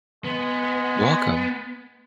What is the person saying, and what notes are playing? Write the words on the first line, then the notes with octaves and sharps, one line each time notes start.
You're welcome.
G#3 B3